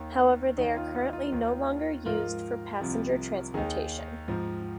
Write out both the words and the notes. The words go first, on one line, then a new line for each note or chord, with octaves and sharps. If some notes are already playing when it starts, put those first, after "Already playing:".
However, they are currently no longer used for passenger transportation.
Already playing: D#2 D#3
D#2 D#3 D#4
F4
D#4
F4
D#2 D#3
G#2 F3 F4 A#4
C2 C3 F3
D#2 D#3 D#4 G#4
G#2 F3